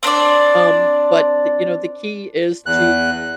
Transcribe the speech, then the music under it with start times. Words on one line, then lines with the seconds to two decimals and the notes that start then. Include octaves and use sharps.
um, but, the you know, the key is to
0.03 C4 D4 C5 D5
2.66 E2 F#6